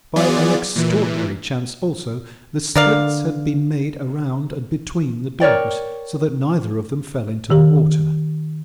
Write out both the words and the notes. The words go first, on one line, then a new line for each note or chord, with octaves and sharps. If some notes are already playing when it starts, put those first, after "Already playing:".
By an extraordinary chance also, the splits had been made around and between the dogs, so that neither of them fell into the water.
E3 F#3 B3 F4 G#4 D5
A#2 E3
D3 A#4 D5 F5
A#4 C#5 D5 G5
D#3 G4